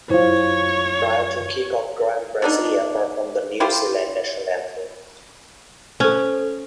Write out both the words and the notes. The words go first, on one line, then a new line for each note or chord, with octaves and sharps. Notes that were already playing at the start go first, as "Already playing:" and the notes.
Prior to kick-off Graham Brazier performed the New Zealand national anthem.
F#2 E4 F4 C5 C#5
B2 D4 D#4
E4 F4 G4 C5
C#4 A4 C5